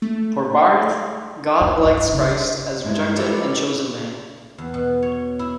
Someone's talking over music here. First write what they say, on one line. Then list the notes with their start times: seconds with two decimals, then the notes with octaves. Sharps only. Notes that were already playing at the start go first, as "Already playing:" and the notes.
For Barth, God elects Christ as rejected and chosen man.
0.02 A3
1.60 F2
1.85 G2
2.12 C#3
2.85 G2 G#3 E4
3.17 G4 A4 B4 C#5
4.58 E2
4.74 B2
5.02 C#5
5.39 E4